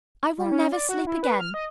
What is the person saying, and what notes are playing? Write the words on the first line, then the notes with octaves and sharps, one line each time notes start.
I will never sleep again.
G3
C#4
D5
F#4
E4
B4
F6
D#5